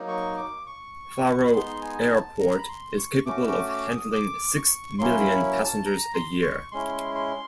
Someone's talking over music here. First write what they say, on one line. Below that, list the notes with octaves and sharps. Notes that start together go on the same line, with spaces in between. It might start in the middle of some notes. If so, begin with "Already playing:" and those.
Faro Airport is capable of handling six million passengers a year.
Already playing: F#3 A#3 D#4
C#6
D6
C#6
B5
G#3 B3 D#4 C6
G#5
A5
A#5
B5
C6
C#6
A3 C#4 F#4 D6
D6
D6
D#6
D6
C#6
F#3 A#3 C#4 E4 C6
B5
A5
A#5
C6
C#6
G#3 C#4 E4 C6
C6